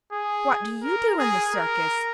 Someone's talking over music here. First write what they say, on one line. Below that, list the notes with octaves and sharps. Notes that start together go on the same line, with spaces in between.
"What do you do in the circus?"
G#4
A#4
G#4
A#4